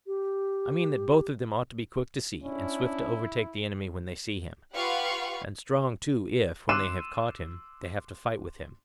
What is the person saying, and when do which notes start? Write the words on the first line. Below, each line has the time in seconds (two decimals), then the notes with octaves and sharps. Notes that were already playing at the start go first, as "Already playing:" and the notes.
I mean that both of them ought to be quick to see, and swift to overtake the enemy when they see him; and strong too if, when they have caught him, they have to fight with him.
0.07 G4
2.42 C#4 D4 E4
4.73 F4 G4 B4 F5 F#5 C#6
6.69 C6 D6 E6 F#6 D#7 E7